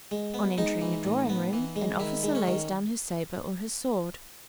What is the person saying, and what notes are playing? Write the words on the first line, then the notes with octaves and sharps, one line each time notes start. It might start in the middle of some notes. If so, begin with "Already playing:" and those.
On entering a drawing room, an officer lays down his sabre or his sword.
G#3
B3
G#3 D#4
E3
A2
B3
E3
G#3
D#3 E4
G#3
C#4
D#3